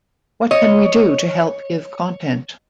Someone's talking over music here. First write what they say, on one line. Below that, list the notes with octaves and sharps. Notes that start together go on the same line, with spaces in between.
What can we do to help give content?
C#5 D#5